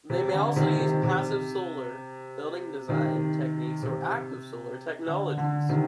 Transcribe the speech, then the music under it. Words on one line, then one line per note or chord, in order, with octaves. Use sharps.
They may also use passive solar building design techniques or active solar technologies.
C3
D3
C3 D#3
C3 D#3
C3
C3 D#3
C3
D3
D3
C3 D#3